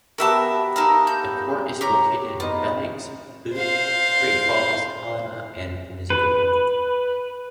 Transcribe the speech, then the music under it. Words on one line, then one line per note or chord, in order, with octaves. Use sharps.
The court is located in Billings, Butte, Great Falls, Helena and Missoula.
B3 F#4 G4 A#4 E5 A5
D#4 G4 A4 A#4 F5
G6
G4 C#5 A#5
B3 D#4 F4
C5 F5
B4